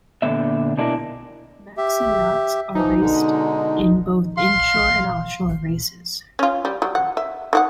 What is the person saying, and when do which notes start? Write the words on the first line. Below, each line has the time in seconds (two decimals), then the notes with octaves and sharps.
Maxi yachts are raced in both inshore and offshore races.
0.22 A#2 D3 B3 E5
0.77 B2 D4 E4 G#4 A#4
1.77 G4 E5
2.75 E3 F3 D#4
3.00 B2 D3 G#3
4.38 F5 C6
6.39 C#4 F4
6.65 G3
6.82 F#3 G3
6.95 F#5
7.17 E5
7.53 D#3 F#4 F#5